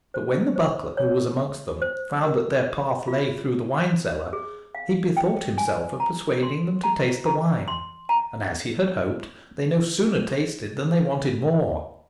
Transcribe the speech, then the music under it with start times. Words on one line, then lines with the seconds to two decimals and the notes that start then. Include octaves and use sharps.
But when the butler, who was amongst them, found that their path lay through the wine cellar, he bethought himself of persuading them to taste the wine, and, as he had hoped, they no sooner tasted than they wanted more.
0.14 C5
0.56 C5
0.97 C#5
1.82 C5
2.24 A#4
3.07 F4
4.33 G#4
4.75 F5
5.17 G5
5.58 G#5
6.00 A#5
6.43 C6
6.84 A#5
7.26 A#5
7.68 C6
8.09 A#5